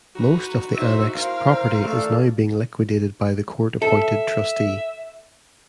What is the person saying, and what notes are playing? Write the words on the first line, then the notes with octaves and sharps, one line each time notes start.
Most of the annexed property is now being liquidated by the court appointed trustee.
F#4 B4 A#5
D#4 C5 E5
E4 A#4 C5 F5
A3 A4 D5
A4 E5